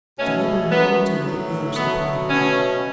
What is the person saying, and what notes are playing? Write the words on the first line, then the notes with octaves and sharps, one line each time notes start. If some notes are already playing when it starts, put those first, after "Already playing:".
Mr Abel involuntarily urged the pony forward.
B2 A3 C#4
F#2 F#3 A3 B3
A2 F#3 A3
B2 F#3 A3 B3
B2 A3 C#4